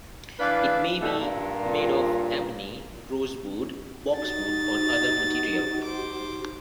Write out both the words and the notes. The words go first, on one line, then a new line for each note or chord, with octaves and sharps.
It may be made of ebony, rosewood, boxwood or other material.
E3 D4 B4 D5 F5
B2 G3 A3
G2 A#2
D#4 F#4 G4 A6
C5 D6